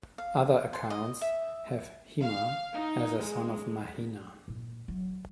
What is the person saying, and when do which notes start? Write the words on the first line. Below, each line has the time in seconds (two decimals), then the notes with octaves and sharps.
Other accounts have Hema as a son of Mahina.
0.18 F5
0.73 C6
0.90 D#5
1.21 E5
2.21 F5
2.75 D#4
3.18 G#3
4.48 A#2
4.88 F#3